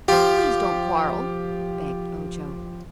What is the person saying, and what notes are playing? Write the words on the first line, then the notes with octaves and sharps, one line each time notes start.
"Please don't quarrel," begged Ojo.
F3 F4 G4